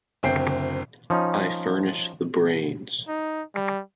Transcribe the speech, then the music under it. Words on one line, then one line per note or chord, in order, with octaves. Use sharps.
I furnish the brains.
F#1 D2 C4 G5 C7
F3 C#4 D#4
D#4
G3